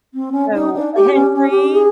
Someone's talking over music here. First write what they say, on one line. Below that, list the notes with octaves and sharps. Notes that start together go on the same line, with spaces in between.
So, every
C4
C#4
D#4
D4
G4
C#4
C#4
G4
G#4